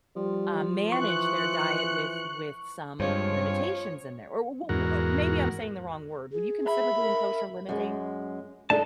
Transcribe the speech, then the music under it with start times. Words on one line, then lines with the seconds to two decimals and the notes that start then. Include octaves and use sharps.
um, manage their diet with with some limitations in there or wh what maybe I'm saying the wrong word, would you consider being kosher limiting?
0.16 F3 G3
0.92 E3 C#6 F#6 C#7
3.00 G2 F3 G#3 C4 F4 C#5
4.69 E2 G#2 F#4 A#4
6.32 G#4
6.66 E5 B5
6.97 A#4
7.69 F#2 G#3
8.70 G2 A3 D4 D#4 A4 A5